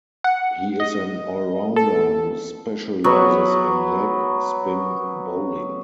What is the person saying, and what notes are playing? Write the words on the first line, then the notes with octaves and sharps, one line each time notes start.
He is an all-rounder who specializes in leg spin bowling.
F#5
D#5
A4
F#3 B3 F#4 C#5